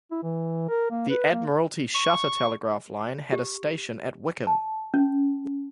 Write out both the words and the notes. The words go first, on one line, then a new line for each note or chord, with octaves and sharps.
The Admiralty Shutter Telegraph Line had a station at Wickham.
E4
E3
A#4
A#3
B4
A#3
C#6
G4
A5
C#4